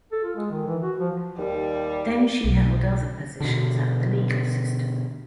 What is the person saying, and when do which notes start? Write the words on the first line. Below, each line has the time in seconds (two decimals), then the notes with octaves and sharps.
Then she held other positions at the legal system.
0.12 A4
0.24 F4
0.36 G#3
0.51 D#3
0.67 E3
0.82 F#4
0.99 F3
1.38 D#2 G3
2.44 B1
3.40 B2 D3